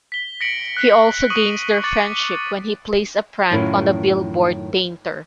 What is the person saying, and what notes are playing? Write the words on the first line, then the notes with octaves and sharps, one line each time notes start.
He also gains their friendship when he plays a prank on a billboard painter.
B6 G7
A#6 B6 C#7 D7 F#7
F#6 B6 C7
C#6 D#6 D#7 F#7
C#6 D6 A6 C#7 F#7
F#2 A2 D#3 C#4 E4 F4